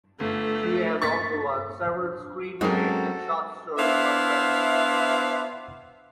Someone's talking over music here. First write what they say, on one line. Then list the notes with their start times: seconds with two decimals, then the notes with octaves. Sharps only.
She has also won several screenplay and short story contests.
0.20 G1 A3
1.02 A#3 C#6 A6 B6
2.61 G#2 F#3 G#3 C4 C#4 F#4 A4 A#4
3.78 B3 D4 E4 C5 E5 F5